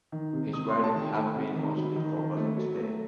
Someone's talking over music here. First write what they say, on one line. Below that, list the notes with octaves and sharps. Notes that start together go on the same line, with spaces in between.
His writings have been mostly forgotten today.
D#3
C3
C3 D#6
A3 C6
A5
D#3 G5
A3 B5
C3
D#3
F#3
D#3
D#3
A3
F#3
A3